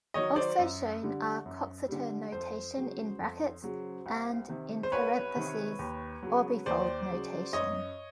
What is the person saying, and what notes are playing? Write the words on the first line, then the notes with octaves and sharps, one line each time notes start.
Also shown are Coxeter notation in brackets, and, in parentheses, orbifold notation.
D#3 F#3 C#5 D#5
C5 D5
F#2
D3 G3
F#2
D3 G3
F2 C5
C#3 F#3
F2
C#3 F#3
C2
C3 D#3
C5
C2 B4 C#5
C3 D#3
D#2
C#3 F#3
D#2 C5 D5
C#3 F#3
F#2 C#5 D#5